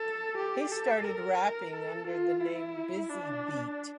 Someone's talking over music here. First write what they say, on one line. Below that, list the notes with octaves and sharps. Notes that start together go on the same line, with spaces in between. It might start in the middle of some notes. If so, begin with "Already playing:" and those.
He started rapping under the name Busy Beat.
Already playing: A4
G4
A4
A#4
A4
F4
E4
D4